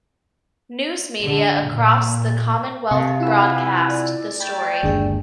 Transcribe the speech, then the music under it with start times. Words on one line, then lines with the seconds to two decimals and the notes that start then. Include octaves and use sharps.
News media across the Commonwealth broadcast the story.
1.23 D3
1.68 A#2
2.91 C3 F5 A5 C#6
3.20 E4 F4 B4 F#5 G#5 E6
3.89 D5
4.40 A3 G5 B5 G#6 A6
4.83 G1 D#2 G#3 D4 G#4